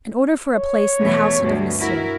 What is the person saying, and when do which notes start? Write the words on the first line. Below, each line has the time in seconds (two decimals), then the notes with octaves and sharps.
"An order for a place in the household of Monsieur."
0.56 C#5
0.97 E2 B2 A3
1.41 D2 G2 B2
1.78 E4 F#4 A#4